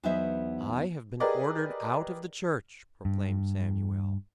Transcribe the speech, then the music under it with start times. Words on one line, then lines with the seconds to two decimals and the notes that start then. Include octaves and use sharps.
"I have been ordered out of the church!" proclaimed Samuel.
0.03 E2 F#3 B3 D#4 C5 E5
1.20 G4 G#4 A#4 B4 D5 D#5
3.05 G2